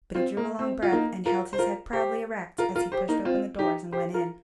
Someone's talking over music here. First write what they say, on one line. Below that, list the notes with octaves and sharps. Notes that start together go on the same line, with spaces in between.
But he drew a long breath, and held his head proudly erect as he pushed open the doors and went in.
C4 F4
A#3
C4
F4
A#3 D#4
F4 A#4
C5
F4 A#4
G4 C5
F4 A#4
F4 A#4
G4 C5
A#3 D#4
C4 F4
D#4 G4
G4 C5
F4 A#4